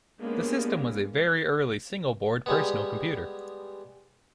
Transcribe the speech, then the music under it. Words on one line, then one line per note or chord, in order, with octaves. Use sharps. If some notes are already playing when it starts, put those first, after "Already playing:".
The system was a very early single-board personal computer.
G#3 A#3 B3 C#4 D4 G4
G3 G#3 B3